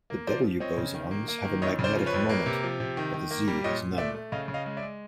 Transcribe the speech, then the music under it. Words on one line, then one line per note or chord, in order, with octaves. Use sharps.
The W bosons have a magnetic moment, but the Z has none.
A#3
F3 C5 D5
F3
C4 C#5 D#5
C#3
D#3
A#3
A#3
D#3
F2 C#5 D#5
C#3
C5 D5
F3
B4 C#5
F2
A#3
C3
F3
C3
D#3
D#3
A#3
G3
A#2 C#5 D#5
A#2
A3 D5 E5
A3
C#3 D#5 F5
C#3
D#5 F5
G#3
D5 E5
G#3